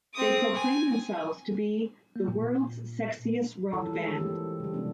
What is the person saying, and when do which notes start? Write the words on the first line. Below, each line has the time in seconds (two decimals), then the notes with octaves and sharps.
They proclaim themselves to be "The World's Sexiest Rock Band".
0.14 C4 D#6
0.55 G#5
2.16 A#3
2.28 A#2
3.73 E3 G3 E4 F4 A4 C#5
3.93 G#3 A3 G#4 A4
4.18 E3 A#3 C4 G4
4.60 C#3 G3
4.73 C3 F3 G#3 B3 D4